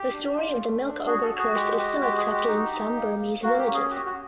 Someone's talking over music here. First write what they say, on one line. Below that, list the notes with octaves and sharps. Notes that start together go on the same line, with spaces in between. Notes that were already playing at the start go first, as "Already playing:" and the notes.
The story of the Milk Ogre curse is still accepted in some Burmese villages.
Already playing: G4
D4
F4
A3
D4
F#4 G#4
A4
F#4
G#4
G#3 G4
F#4 G4
G#3 G4
G#4
F#4
G4
D#4
D#4
A#3
A#3
A#3 F#4
G4
C#4
G#4
F#4 G4
F#4
C#4